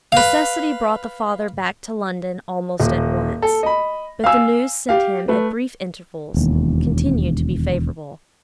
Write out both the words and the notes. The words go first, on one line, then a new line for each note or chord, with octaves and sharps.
Necessity brought the father back to London almost at once, but the news sent him at brief intervals continued to be favourable.
B4 F5
D#1
A4
D#5 B5
F5 G#5 E6
G4 F5
A3 B4
E1 D#2